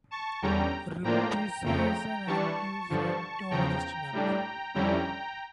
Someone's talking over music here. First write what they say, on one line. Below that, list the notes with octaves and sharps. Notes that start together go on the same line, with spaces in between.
Ribisi is an active Scientologist member.
A5 C#6
E2 D3 G3 C#4 G5 A#5
A2 F3 A#3 D4 F4 G5 A#5
F2 C#3 F3 A3 G5 A#5
E3 G3 D4 A5 C#6
G2 D3 F3
E2 C#3 F3 G5 A#5
A2 G3 D4
F2 D3 G3 C#4 E4 G5 A#5